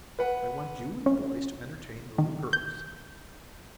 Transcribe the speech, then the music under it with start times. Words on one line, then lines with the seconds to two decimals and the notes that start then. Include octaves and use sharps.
I want you and the boys to entertain the little girls.
0.19 B4 F#5
1.06 C#4
2.18 D#3
2.53 G6